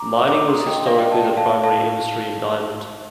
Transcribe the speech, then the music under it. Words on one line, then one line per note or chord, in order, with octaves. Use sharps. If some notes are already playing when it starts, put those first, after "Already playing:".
Mining was historically the primary industry in Diamond.
Already playing: A#5 D6
A#5 D6
C6 D#6
D#5 G5
D5 F5
D#5 G5
A5
G5
F5 A5
F5 A5